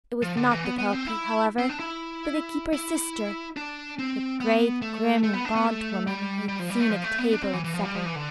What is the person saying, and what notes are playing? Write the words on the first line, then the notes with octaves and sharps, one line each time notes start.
It was not the Kelpie, however, but the keeper's sister, the great, grim, gaunt woman I had seen at the table at supper.
F3
D3
E3
B3
B3
C4
E4
C4
D4
E4
E4
D4
C4
B3
A3
A3
B3
D4
B3
A3
G3
G3
F3
G3
A3
F3
A3
B3
D4
C4
E3
E3
F3
G3
F3
E3
D3